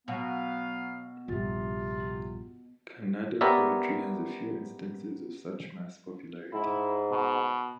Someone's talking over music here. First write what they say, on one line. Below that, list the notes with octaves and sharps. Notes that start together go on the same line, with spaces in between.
Kannada poetry has a few instances of such mass popularity.
B2 F#3 B3 F5
A#1 G2 C3 F4
B3 G4 A#4 C#5 D5 E5
G#2 E4
B2